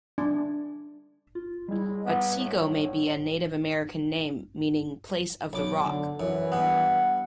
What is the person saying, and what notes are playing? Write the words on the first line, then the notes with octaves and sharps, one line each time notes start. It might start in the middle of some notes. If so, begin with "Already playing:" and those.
Otsego may be a Native American name meaning "place of the rock".
D4
F4
G3 G#3 E4
B3
A2
B1 D6
D3
F#2 E3
G2 B3 F#5